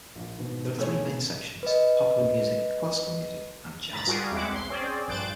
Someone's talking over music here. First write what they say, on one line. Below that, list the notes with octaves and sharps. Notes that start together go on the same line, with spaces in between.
There are three main sections - popular music, classical music, and jazz.
A#1
G#2 B2 D#3
A3 G#4 C#5
B4 D#5
G#2 A#5 B5 A6
G3 F4 F#4 G#4 A#4
E2 G#3 C4 E4 F#5 D6
B1 C6
C4 C#4 G#4 C5 D5
A#1 G2 C5 F#6 A6 D7